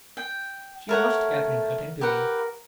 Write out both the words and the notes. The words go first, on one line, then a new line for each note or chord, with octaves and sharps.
She watched Catherine attentively.
G5
A3 A#4 C#5 F#5
G4 A#4 B4 F#5